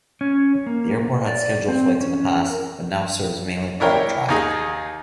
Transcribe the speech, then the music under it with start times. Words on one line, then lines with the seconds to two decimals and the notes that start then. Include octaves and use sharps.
The airport had scheduled flights in the past, but now serves mainly private traffic.
0.21 C#4
0.66 A#3
1.27 D5
1.68 C4
2.01 C#4
2.50 A#4
3.80 D4 E4 A#4 C#5 G5
4.29 D#2 D#4 G#4